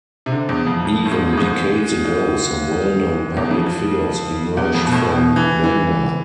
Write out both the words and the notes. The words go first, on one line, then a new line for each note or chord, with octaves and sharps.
Even decades ago some well known public figures emerged from Langa.
C3
D3
E2
F2
F2
A2
G#2
F2
G#2
E2
F2
E2
F2
B2
A2
B2
E3
E3